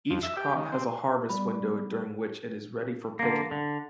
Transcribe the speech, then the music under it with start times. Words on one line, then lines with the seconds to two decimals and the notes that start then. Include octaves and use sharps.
Each crop has a harvest window during which it is ready for picking.
0.10 F2
0.23 E5
0.37 G4
0.56 D#3
0.72 C4
1.29 G3 B3 D5 B5
3.19 D3 A#3
3.51 D3